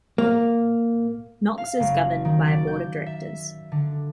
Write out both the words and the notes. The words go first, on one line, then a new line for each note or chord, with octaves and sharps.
Knox is governed by a Board of Directors.
A#3
F5
F#1
D#3
D5
G6
E5
D3